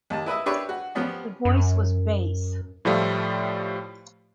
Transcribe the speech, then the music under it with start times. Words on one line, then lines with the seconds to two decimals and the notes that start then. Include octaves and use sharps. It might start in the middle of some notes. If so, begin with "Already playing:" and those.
The voice was bass.
0.10 D#2 A5
0.26 E4 B4 D#5 E5
0.46 D4 G4 B4 C#5 E5
0.69 F#4
0.95 F3 G3 B3 C#4
1.45 F#2
2.85 A2 F3 G3 A3 F4